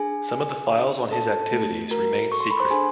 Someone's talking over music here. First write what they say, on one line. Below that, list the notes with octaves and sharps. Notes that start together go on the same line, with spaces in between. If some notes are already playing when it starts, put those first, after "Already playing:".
Some of the files on his activities remain secret.
Already playing: D4 G#4 G#5
G#4
D4
C#4 A4 A5
A3
F#4 A#4 A#5
A4 C#6
C6
B5
C5 C6
D4 G#4 G#5